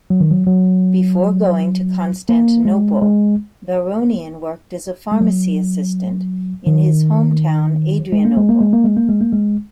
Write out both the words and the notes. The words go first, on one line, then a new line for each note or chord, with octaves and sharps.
Before going to Constantinople Baronian worked as a pharmacy assistant in his hometown Adrianople.
F#3
D#3
F#3
F#3
A#3
G#3
G#3
G#3
F#3
D#3
G#3
A#3
G#3
A#3
G#3
A#3
G#3
A#3
G#3
A#3
G#3